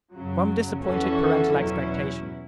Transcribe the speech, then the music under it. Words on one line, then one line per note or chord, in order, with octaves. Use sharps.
Rum disappointed parental expectation.
F#2 C#3 F#3
E2 E3 C#4 F#4 A4
E2 B2 F#3 C#4 E4